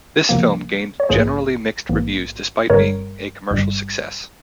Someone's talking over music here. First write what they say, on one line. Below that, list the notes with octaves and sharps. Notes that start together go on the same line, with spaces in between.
This film gained generally mixed reviews despite being a commercial success.
C#2 C3 F3 A#3
C#5
A#1 G#2 E3 A#3 G#4 C5
A#1 G#2 E3 A#3
G1 G2 G3 A#4 C#5
G1 G2 G3